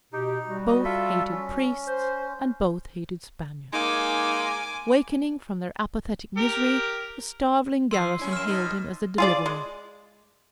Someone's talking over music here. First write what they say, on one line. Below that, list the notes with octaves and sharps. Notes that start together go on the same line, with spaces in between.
Both hated priests, and both hated Spaniards. Wakening from their apathetic misery, the starveling garrison hailed him as a deliverer.
B2 D#4 G4
G3 F#4
D#5
F4 A4 E5
C#4
C5
G#3 A#3 D#4 G#5 D6
G4 A#4
E3 C6 E6 C7
F#2 C#4 E4
F6 E7
B2 D#4
F4 G#4 D5
G#3